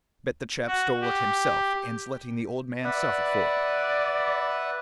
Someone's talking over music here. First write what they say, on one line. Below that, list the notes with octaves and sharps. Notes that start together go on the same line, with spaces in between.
Bet the chap stole it himself and 's letting the old man suffer for it.
F#4
G4
B4 D5 E5 F#5